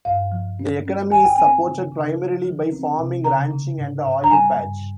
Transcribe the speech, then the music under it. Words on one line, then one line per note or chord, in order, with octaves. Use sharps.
The economy is supported primarily by farming, ranching, and the oil patch.
G2 F5
F3
C#4
C#4
D#3 G#5
G5
C4 G#5
C#3
C#3
F3
F3
C4
C3
C#3 A#5
C#3
G#2
G#2
A#5
G3 G#5
G2